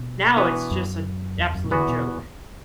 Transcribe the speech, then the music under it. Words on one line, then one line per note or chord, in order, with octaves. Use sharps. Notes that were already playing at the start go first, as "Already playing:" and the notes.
now it's just an absolute joke.
Already playing: B2
E3 B3 D4 F#4 B4
F#2
E2
F#2
B2
E2 D3 E3 B3 F#4
B2